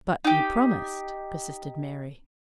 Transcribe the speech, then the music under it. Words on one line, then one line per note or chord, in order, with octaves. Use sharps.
"But you promised," persisted Mary.
D#4 G4